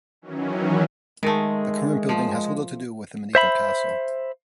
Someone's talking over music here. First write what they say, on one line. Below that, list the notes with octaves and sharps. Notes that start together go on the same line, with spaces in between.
The current building has little to do with the medieval castle.
D#3 E3 F#3 C#4
D#3 G#3 A3
F3
C5 E5 B5